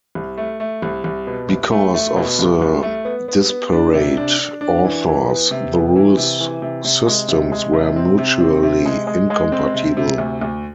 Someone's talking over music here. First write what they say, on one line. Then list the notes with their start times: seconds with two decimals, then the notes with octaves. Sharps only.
Because of the disparate authors, the rules systems were mutually incompatible.
0.15 C2
0.37 A3
0.60 A3
0.82 C2
1.04 C2
1.27 B2
1.50 C2
1.72 A3
1.94 A3
2.16 B2
2.39 C2
2.61 C2
2.83 A3
3.05 B3
3.28 B3
3.49 B3
3.72 D4
3.94 C3
4.17 D4
4.39 D4
4.61 D4
4.84 E3
5.07 E3
5.29 B3
5.51 C3
5.73 B3
5.96 E3
6.17 C3
6.40 E3
6.62 C3
6.84 C3
7.06 G#3
7.29 C3
7.52 G#3
7.73 C3
7.96 C4
8.18 C3
8.40 C4
8.63 C3
8.86 G#3
9.07 G#3
9.30 G#3
9.52 C4
9.74 C3
9.97 C3
10.18 D2
10.41 D2